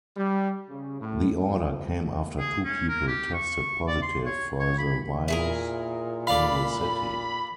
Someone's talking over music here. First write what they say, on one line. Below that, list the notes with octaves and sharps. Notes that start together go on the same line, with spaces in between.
The order came after two people tested positive for the virus in the city.
G3
C#3
A2
F2
G#4
C#4
A#4
G4
C#6
D5
C6
C#5
C#5
B5
A#2 E4 G#4 A#4
A4 D5 F5 B5